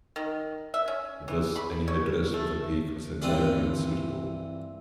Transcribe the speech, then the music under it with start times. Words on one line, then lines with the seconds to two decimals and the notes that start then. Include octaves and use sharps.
Thus, any headdress with a peak was entirely unsuitable.
0.16 D#3
0.74 E5
0.88 C#4
1.28 E3
1.56 B5
1.88 C#5
2.34 A3
3.22 G2 E3 C4 F4 D5